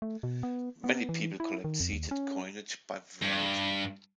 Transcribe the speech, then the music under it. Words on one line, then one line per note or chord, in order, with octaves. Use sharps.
Many people collect seated coinage by variety.
A3
B2
B3
B3
E3
E4
D#3
F2
D#2
C#4
G2